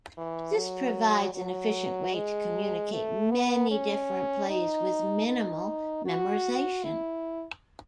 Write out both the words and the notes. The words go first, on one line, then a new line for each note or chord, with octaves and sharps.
This provides an efficient way to communicate many different plays with minimal memorization.
E3
F#3
F#3
G#3
A3
B3
C#4
D#4
D#4
F#4
E4